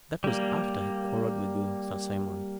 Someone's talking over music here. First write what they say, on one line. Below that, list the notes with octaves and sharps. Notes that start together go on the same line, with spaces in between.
That was after he quarrelled with you, Sir Simon.
G3 A#3